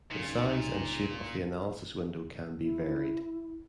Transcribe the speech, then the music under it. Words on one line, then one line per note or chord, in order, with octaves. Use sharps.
The size and shape of the analysis window can be varied.
C#2 A#2 C#3 F#3 D#4
E4